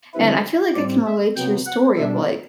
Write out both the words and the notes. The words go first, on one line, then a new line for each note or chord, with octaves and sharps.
and I feel like I can relate to your story of, like,
D3 G3 C4 E4 B4
A2 G3 C4 D5
E5
C3 F#3 B3 G5
F#5
B2 G3 D4 E5